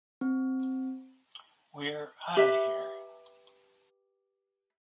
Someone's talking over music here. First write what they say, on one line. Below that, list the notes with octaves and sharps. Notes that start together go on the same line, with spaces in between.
We're Outta Here!
C4
G4 B4 E5